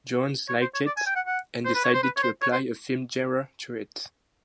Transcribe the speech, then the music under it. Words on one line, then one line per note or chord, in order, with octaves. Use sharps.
Jonze liked it, and decided to apply a film genre to it.
C#5
C5
C#5
D5
G#5
G5
F#5
F#5
C5
B4
C#5
C5
B4
C#5
C5
C#5
C5